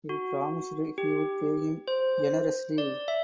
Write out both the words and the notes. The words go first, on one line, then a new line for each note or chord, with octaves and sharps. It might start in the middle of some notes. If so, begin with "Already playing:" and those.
He promised he would pay him generously.
F#4
G4
C5
D5
E5